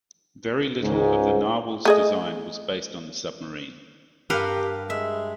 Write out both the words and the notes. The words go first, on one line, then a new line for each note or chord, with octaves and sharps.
Very little of the "Narwhal"s design was based on the submarine.
C#2 G#2
A3 G#4 D#5
G2 G4 A#4 B4 F5 F#5
G#3 E5